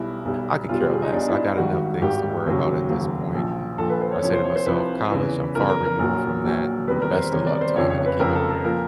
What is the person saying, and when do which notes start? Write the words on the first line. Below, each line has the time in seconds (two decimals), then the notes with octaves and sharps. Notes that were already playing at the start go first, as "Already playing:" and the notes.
I could care less. I got enough things to worry about at this point, and I say to myself, "College, I'm far removed from that, and best of luck to 'em," and I keep it moving.
Already playing: B1 B2 G3 E4
0.25 B1 B2 G3
0.69 B1 B2 G3 F4
0.80 G4
0.91 G#4
1.02 D#4
1.13 B1 B2 G3 D4
1.28 E4
1.57 G#1 G#2 D#3 G3 F#4
2.01 G#1 G#2 D#3 G3 G4
2.46 F1 D#2 C#3 F#3
2.89 F1 D#2 C#3 F#3
3.34 A#1 A#2 F3
3.78 A#1 A#2 F3 A4
3.90 B4
4.00 C5
4.11 C#5
4.23 C2 C3 F3 C#5
4.33 C5
4.44 C#5
4.56 C5
4.66 C2 C3 F3 B4
5.11 E2 C#3 E3
5.55 E2 C#3 E3 A#4
5.70 A#4
5.85 A#4
5.99 A#1 A#2 F#3 A#4
6.44 A#1 A#2 F#3
6.88 E2 C3 D#3 G3 B4
7.02 A#4
7.17 C5
7.32 E2 C3 D#3 G3 C#5
7.47 D5
7.61 C5
7.75 F1 F2 C#3 F3 C#5
7.90 C#5
8.06 B4
8.19 F1 F2 C#3 F3 A#4
8.35 A4
8.50 A4
8.64 A#2 F3 A#4